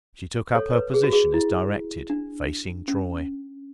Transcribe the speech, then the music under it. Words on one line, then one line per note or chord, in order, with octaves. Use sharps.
She took up her position as directed, facing Troy.
A4 C#5
C#5
B4
G#4
F#4
G#4
E4
D4
C#4